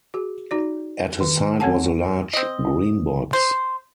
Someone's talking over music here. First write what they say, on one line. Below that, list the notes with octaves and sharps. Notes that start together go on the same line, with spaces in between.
At his side was a large green box.
F#4 G#4
D#4 F#4 D5
D#3
C4 A4 C#5 F#5 G#5 A5
C4 D#5
C5